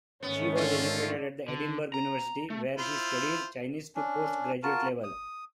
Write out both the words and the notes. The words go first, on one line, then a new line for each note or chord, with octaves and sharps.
She was educated at Edinburgh University where she studied Chinese to post-graduate level.
G#2 D#3 A3 B3 C#4
D3 F4
D3
A#5
A3
E4 F4 C5
C#4 D4
F4 F#4 A#4 A5
D#6